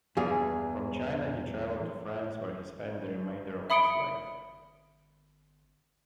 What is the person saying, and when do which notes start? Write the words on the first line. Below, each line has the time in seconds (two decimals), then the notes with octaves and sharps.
From China, he travelled to France, where he spent the remainder of his life.
0.17 E2 G2 G#4 F5
3.70 E5 B5 D#6 C#7 D7 G7